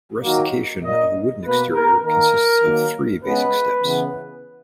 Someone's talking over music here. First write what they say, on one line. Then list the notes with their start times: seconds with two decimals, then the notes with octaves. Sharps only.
Rustication of a wooden exterior consists of three basic steps.
0.22 D#3 F#3 A#3
0.83 A#2 A#3 D#5
1.44 B2 A#3 B4
1.73 A#4
2.04 D#3 A#3 A#4
2.63 D#3 F#3 A#3
3.23 C#3 G#3 B3 B4
3.84 C#3 E3 B3